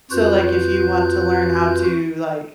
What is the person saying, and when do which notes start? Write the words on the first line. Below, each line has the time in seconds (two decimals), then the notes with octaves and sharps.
so, like, if you want to learn how to, like,
0.11 F2 F4 F#4 B4 F#6 G6